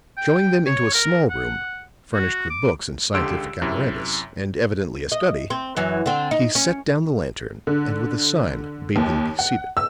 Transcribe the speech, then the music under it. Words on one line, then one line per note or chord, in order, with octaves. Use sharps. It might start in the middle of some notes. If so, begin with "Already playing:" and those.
Showing them into a small room furnished with books and scientific apparatus and evidently a study, he set down the lantern and with a sign bade them be seated.
G5
C#5
A#4
F#5
F#4
D6
C#2 D3 G4 C6 E6 D7
F#2 C3 E4
D#5
C4
F#2 E3 F#3
D3 C4
D#4
C#4
D3
D#2
F#5
E6